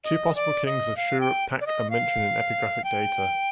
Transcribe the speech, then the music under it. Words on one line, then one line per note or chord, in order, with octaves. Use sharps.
Two possible kings of Shuruppak are mentioned in epigraphic data.
D#5
D5
D#5
F5
G5
D5
D#5
F5
G5